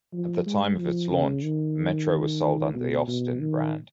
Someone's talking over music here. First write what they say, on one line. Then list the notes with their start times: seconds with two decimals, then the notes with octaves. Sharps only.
At the time of its launch, the Metro was sold under the Austin brand.
0.13 F3
0.46 G#3
0.79 F3
1.11 C#3
1.44 D#3
2.75 B2
3.08 B2
3.40 D#3